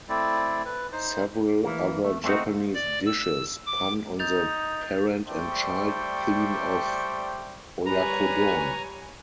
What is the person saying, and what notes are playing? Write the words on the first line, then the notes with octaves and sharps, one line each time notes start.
Several other Japanese dishes pun on the parent-and-child theme of "oyakodon".
A3 C4 E4 D5
B4
D#4 C5
E3 A#3
A3
A3 C4 C#4 D#4 F#4
D5
E6
D6
D#4 G6 A6 F7
G3 A3 C5 D5 G5 C#6
G3 B4 C#5 G#5 A#5